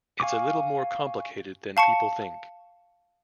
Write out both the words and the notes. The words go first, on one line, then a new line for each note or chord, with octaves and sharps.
It's a little more complicated than people think.
F5 G#5 C#6 D6
F5 A5 C#6 C#7